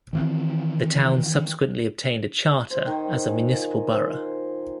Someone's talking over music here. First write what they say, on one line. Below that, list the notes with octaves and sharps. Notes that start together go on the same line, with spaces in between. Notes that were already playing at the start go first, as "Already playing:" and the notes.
The town subsequently obtained a charter as a municipal borough.
D#3 E3 C4
C5
D#3
G#4
A#2
C5